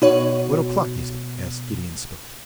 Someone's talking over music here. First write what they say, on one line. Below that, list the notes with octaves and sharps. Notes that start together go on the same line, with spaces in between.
"What o'clock is it?" asked Gideon Spilett.
B2 D#4 F#4 C#5